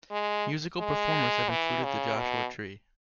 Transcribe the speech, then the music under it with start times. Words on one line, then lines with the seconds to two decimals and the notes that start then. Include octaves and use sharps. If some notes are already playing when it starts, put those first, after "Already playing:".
Musical performers have included The Joshua Tree.
0.11 G#3
0.80 G#3
1.49 E3
1.84 C#3
2.17 B2